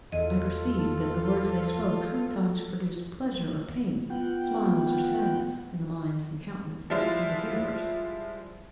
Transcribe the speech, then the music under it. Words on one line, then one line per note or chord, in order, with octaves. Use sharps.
I perceived that the words they spoke sometimes produced pleasure or pain, smiles or sadness, in the minds and countenances of the hearers.
E2 F4 A4 D#5
B3 F4 F#5 G5
F3 G3 G#3 E4 F4